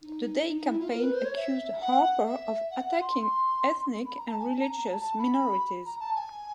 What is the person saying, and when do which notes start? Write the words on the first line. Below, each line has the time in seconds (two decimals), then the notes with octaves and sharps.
The Day campaign accused Harper of "attacking ethnic and religious minorities".
0.02 D#4
0.47 D#4
0.57 D#4
0.69 E4
0.80 F4
0.92 A#4
1.03 B4
1.14 C5
1.25 C#5
1.36 E5
1.81 F#5
2.26 E5
2.71 F#5
2.86 F#5
3.01 C6
3.16 C6
4.06 B5
4.17 A#5
4.28 A5
4.39 G#5
4.51 A5
4.62 A#5
4.73 A#5
4.85 A5
4.96 A5
5.18 B5
5.86 A#5
6.00 A5
6.15 G#5